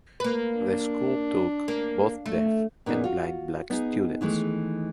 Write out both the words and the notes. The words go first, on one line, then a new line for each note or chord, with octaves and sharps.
The school took both deaf and blind black students.
A#3 B4
D4
A#3
A3
A#2 B3 C#4 D#4 G#4
F4 F#4
B3 D#4 G#4
D#3 E3 G#3 A3